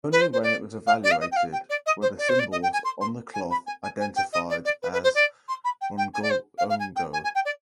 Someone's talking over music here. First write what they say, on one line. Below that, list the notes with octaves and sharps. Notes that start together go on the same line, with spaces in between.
Only when it was evaluated were the symbols on the cloth identified as rongorongo.
B4
C5
C5
D5
F5
D5
F5
D#5
G5
F5
G5
D5
D#5
C5
D5
C5
D5
D#5
G5
G#5
C6
C6
G#5
B5
G#5
G#5
G#5
G5
D#5
D5
D5
B4
B4
C5
D5
C6
B5
G5
G5
G#5
D5
C5
F5
F5
G#5
G5
G#5
G#5
G5
D5